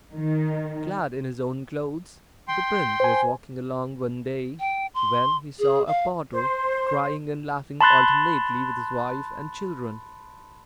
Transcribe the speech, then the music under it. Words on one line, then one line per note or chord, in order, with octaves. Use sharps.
Clad in his own clothes, the prince was walking along one day when he saw a potter crying and laughing alternately with his wife and children.
D#3
G5 C6
C5 G#5
G5
C6
G#4
F5
C5
A5 B5 C6 F#6 A6